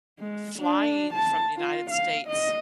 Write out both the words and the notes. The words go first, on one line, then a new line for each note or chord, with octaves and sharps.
flying from the United States
G#3
D4
A5
F4
F5
D#5